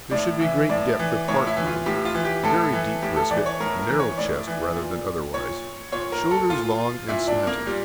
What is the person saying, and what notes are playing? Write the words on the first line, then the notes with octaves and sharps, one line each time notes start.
There should be great depth of heart room, very deep brisket, narrow chest rather than otherwise, shoulders long and slanting.
A2 D5
E3 E5
A2 D5
E3
A2 C#5
E4
E3
F4
A2 G4
F4
E3
G4
A2 A4
E3
A2 G4
A4
E3 D5
C#5
A2 A#4
A#4
E3
C#5
A2 D5
E3
A#2
A#2 C#5
A#2 C#5
A#4
A4
A#2 F4
A#2 E4
D4
A#3
A#2 G3